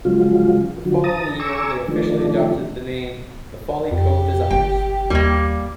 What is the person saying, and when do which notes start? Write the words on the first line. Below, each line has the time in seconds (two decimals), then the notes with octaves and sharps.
The following year they officially adopted the name "The Folly Cove Designers".
0.05 C#3 F3 F#3 G#3 F4
0.85 D3 F3 F#3
1.04 A5 A#5 D#6
1.39 G#5 A#5 C#6 D6 E6
1.88 D#3 F3 A3 D4
3.91 F2 G4
4.50 G1 G5
5.10 D#2 G3 A#3